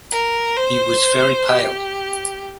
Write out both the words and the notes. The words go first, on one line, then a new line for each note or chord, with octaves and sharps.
He was very pale.
A#4
C5
G4